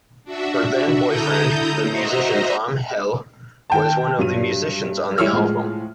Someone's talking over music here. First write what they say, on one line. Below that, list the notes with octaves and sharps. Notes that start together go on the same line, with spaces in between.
Her then-boyfriend, the musician Thom Hell, was one of the musicians on the album.
D4 F#4 E5
D3 E4 A4 A#5 D#6 G6
F#4 C5 D#5 E5 A#5
D#3 G5 A5
G2 F#3 D#7
G3 G#3 E4 C#5 E6 F6
A2 F3 G#3